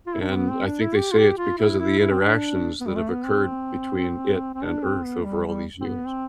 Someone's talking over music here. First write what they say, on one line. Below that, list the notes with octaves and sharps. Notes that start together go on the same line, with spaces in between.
and I think they say it's because of the interactions that have occurred between it and Earth over all these years.
F4
E4
D4
C4
B3
C4
D4
E4
G4
F4
G4
F4
E4
E4
E4
C4
D4
B3
G3
A3
B3
C4
C4
D4
C4
B3
G3
G3
C4
B3
C4